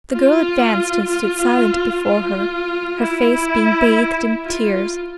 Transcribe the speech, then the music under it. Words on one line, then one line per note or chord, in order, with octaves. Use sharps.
The girl advanced and stood silent before her, her face being bathed in tears.
F4
F4
F4
E4
F4